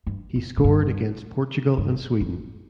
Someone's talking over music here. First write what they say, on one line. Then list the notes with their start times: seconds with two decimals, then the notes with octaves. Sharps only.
He scored against Portugal and Sweden.
0.07 G2
0.36 F#2
0.57 A#2
0.64 G2
1.78 G2
2.21 F#2